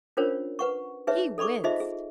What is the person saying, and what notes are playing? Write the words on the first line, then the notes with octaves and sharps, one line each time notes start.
He winced.
C#4 D4 F4 A#4 C5 C#5
B4 F#5 C#6
D#4 G#4 B4 C#5 E5
A4 D5 B5 C#6 D6
D#4 F4 G#4 C5 D#5 E5
G#4